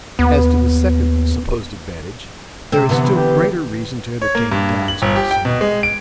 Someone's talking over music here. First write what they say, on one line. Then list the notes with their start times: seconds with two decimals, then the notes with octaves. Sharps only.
As to the second supposed advantage, there is still greater reason to entertain doubts concerning it.
0.19 D#2 B3
2.72 C3 C4
2.89 D3 E3 B3
3.16 G4
4.22 C#5
4.35 A#3
4.52 G2
4.88 F#7
5.02 G1
5.16 G4
5.31 G5
5.45 B2
5.61 G#3
5.83 D7